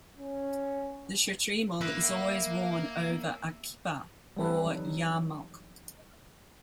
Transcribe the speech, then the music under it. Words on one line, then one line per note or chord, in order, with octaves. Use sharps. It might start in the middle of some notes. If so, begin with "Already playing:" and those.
The shtreimel is always worn over a "kippah", or yarmulke.
C#4
A#3 B4 E5
G3 A3 C4 A4 B4
D3 E3 F#3 D#4